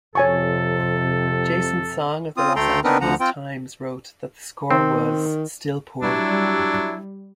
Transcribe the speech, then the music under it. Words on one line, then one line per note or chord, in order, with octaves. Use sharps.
Jason Song of the "Los Angeles Times" wrote that the score was "still poor".
F2 C3 A4 C#5 G#5 C#6
C4 F4 D#6
D2 A3 A4 G5 A#5 C6
B3 C4 D4 D#4 A#4 B4
D2 D3 F3 F#5 A#5
C4 F4 C5 G5
D#3 C4
F#3 G3 D4 E4